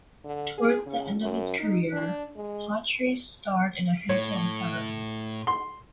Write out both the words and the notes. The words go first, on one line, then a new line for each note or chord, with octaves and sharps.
Towards the end of his career Hawtrey starred in a handful of silent movies.
D3
G#4
C#3
F#2
D#4
D4
G#3
A2 C#5
C6